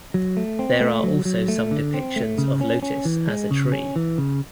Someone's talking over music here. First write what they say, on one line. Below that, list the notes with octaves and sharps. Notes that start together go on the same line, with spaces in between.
There are also some depictions of Lotis as a tree.
F#3
A3
C4
A3
F#3
F#3
A3
D3
C4
A3
C#3
C#4
C#4
E3
G#3
C#3
C#4
E3
C#3